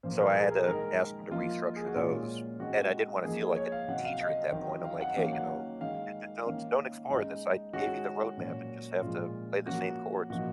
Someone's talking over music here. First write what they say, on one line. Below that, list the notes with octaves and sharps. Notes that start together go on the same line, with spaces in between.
So I had to ask him to restructure those, and I didn't wanna feel like a teacher at that point, I'm like, "Hey, you know, d d don't ex don't explore this. I gave you the road map and just have to play the same chords,"
A#2 F3 A#3 C5
A#4
G#4
A#4
D#3 G#3 D#4 A#4
F3 A#3 D#4 F4
G#4
F#4
A#2 G#3 C#4 F4
C#3 G#3 C4 D#4 F#4
F3 A#3 D#4 G#4
C#5
F5
C3 F#3 C4 D#4 F#5
F5
D#5
D#3 F#3 C4 D#4
F5
F#5
D#3 F#3 A#3 C#4 F5
F#5
D#3 G#3 D#4 F5
D#3 A#3 C#4 F5
C#3 G#3 D#4
D#3 G#3 C#4 F#4
A#2 F#3 C#4
A#2 F3 G#3 F4
F3 A#3 C#4 F#4
A#2 F3 A#3 D#4 F#4